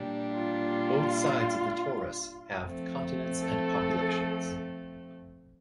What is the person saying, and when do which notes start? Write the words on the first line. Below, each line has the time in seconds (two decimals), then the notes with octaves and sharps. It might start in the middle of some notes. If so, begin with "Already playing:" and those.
Both sides of the torus have continents and populations.
Already playing: A#2 G3 D4 G4
0.33 F4
2.65 F3 A3 C4
3.42 A4